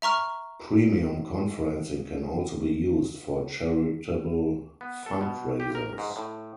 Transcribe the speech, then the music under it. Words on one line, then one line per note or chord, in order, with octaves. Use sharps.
Premium conferencing can also be used for charitable fundraisers.
E5 A#5 C#6 F6
B3
A4
B2
G4
A#4
G#2
A2